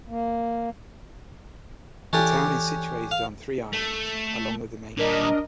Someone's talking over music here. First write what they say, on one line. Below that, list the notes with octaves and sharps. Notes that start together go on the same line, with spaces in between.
The town is situated on three islands, along with the main land.
A#3
E3 C#4 D4 G4 A4
F5
A3
A#2 G3 D4 A#4 D#5